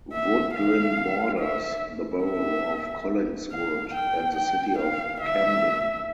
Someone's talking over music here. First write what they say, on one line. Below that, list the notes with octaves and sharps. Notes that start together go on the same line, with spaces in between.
Woodlynne borders the Borough of Collingswood and the City of Camden.
E5
F5
E5
E5
F5
G5
G5
F5
E5